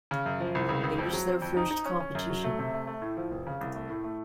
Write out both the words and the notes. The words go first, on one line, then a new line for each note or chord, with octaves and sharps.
It was their first competition.
C#3
F#2
F3
C2
C#2
C#2
F2
F#3
C4
F2
D#4
D#4
C#4
C#4
F#2
F#3
A3
C3
A3
A3
A2
F3
F1
C#3
C2
A3
A2
A3